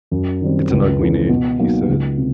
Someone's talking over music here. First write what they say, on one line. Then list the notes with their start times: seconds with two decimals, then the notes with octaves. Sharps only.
"It's an ugly name," he said.
0.11 F#2
0.41 D#3 G3 C4
0.70 C#2
1.00 C#3 E3
1.29 B2
1.59 F#3 A#3 D#4
1.88 C#2
2.18 C3